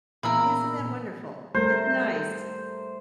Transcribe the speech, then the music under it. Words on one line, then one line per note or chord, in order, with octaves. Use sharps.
Isn't that wonderful? It's nice.
A#2 C#3 E3 B3 E4 A#4 B5 E6
G3 A3 A#4 C5